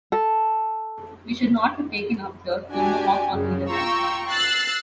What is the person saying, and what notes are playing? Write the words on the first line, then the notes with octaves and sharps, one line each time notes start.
We should not have taken up the tomahawk on either side.
A4
D4 F#4 G4 G#5
F#2 C#3
F4 G5 A#5 C#6 E6
E6 F#6 A6 C7